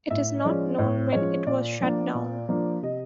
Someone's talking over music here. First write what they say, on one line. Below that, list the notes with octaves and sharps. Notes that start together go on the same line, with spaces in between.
It is not known when it was shut down.
A2 E5
D#5
F3 G#3 C#4 D5
A2 C#5
F3 G#3 C#4 C#5
A#2 D5
F3 A#3 D4
A#2
F3 A#3 D4
C3 D#5